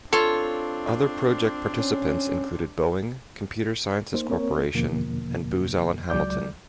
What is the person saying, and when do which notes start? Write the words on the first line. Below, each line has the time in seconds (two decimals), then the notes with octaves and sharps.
Other project participants included Boeing, Computer Sciences Corporation, and Booz Allen Hamilton.
0.13 C4 D4 F4 A4 C#5
1.77 C#4
4.14 A#3 D#4 C5
4.30 A#3 C4 A#4 C#5
4.74 E2 B2 D3 F3 A#3
6.10 C#2 F#3 G#3 D5 D6 G6